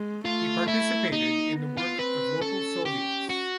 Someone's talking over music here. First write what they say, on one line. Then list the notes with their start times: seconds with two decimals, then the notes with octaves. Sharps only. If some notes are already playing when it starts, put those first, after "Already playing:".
He participated in the work of local soviets.
Already playing: G#3
0.25 A3 F4
0.68 E4
1.11 A#3 D#4
1.56 B3
1.77 F4
1.99 C4 B4
2.41 C#4 A4
2.85 C#4 G4
3.29 F#4